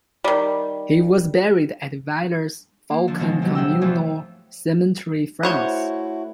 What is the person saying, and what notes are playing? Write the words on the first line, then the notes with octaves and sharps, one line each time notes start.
He was buried at Villers-Faucon Communal Cemetery, France.
D#3 G3
A#3
D3 F3
B2 D3 D#3 F3 G#3
D#3 F#3 G3
D#2 C3 F#5 G5 E6
E2 A2 E3 F3
A3 E4 F#4 C5 C#5 F#5